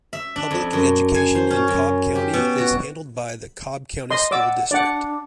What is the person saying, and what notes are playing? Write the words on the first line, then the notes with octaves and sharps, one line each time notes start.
Public education in Cobb County is handled by the Cobb County School District.
E5
D4
F2
F#2
G#5
C5
C#4
F#2
G4
B2
F#4
D#5 C6
D5 F#5 D6 E6
D4 D5 F#5